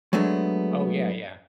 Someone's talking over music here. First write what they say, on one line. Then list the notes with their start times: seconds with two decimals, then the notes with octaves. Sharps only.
Oh, yeah, yeah.
0.13 F#3 G#3 A3 B3 D4